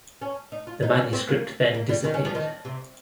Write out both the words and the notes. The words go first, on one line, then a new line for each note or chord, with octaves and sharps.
The manuscript then disappeared.
C#4
D#4
F4
D#4
C#4
C4
A#3
A#3
G3
D#3
C#4
F3
D#3
C3